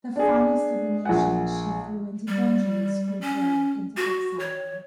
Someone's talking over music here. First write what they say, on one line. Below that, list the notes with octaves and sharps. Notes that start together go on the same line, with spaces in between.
The finest of the nation she threw into dungeons or drove into exile.
D4 G#4
A#1 G#4 F#5
G3
C#4
F#4
C#5